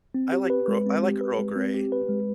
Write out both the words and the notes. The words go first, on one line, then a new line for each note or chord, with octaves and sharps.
I like Earl I like Earl Grey.
C4
G4
B4
G#3
C4
G4
B4
G#3
C4
G4
B4
G#3